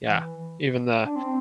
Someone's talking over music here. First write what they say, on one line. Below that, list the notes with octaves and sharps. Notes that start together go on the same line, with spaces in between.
yeah, even the,
E3
D4
C4